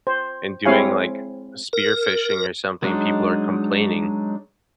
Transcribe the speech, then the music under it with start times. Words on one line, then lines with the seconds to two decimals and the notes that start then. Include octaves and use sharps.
and doing like, spearfishing or something, people are complaining.
0.07 C5
0.65 G#3 C4 E4 C#5 F5 G#5
1.73 A#4
2.83 F#3 G#3 D4 D#4